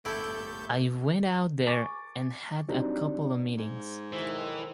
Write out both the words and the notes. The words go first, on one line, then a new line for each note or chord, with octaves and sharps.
I went out there and had a couple of meetings.
G1 A3 E4 G4 A4 G6
G#5 C#6 D6 A6
F#3 G3 C4 D4 D#4
G#2
B1 D#3 E3 C5